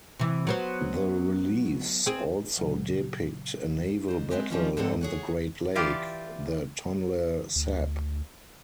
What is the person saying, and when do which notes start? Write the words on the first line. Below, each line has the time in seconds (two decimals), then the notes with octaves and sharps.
The reliefs also depict a naval battle on the great lake, the Tonle Sap.
0.19 C3 E3
0.47 F#3 B3 C5
2.06 C4 G#4
2.58 A#2 C#3 F#3
4.08 F2 C5
4.30 G#3 C4 B4 D#5 E5
4.50 D#3 F3 G3 C4 C#4 F4
4.77 G#2 D3 F3 C4 A4 F#5
5.01 G#4 C#5 F#5
5.75 E3 F4 G4 D5
7.56 D2